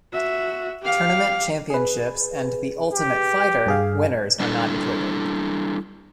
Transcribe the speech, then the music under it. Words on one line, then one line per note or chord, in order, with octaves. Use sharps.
Tournament championships and The Ultimate Fighter winners are not included.
F#4 E5
G4 F5
G#4 B4
G4
G2 G#4 F5
G3 D4 E4 A4